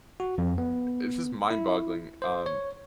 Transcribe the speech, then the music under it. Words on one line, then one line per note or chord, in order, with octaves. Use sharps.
it's just mind-boggling, um,
F#4
F2
B3
E4
C5
C#5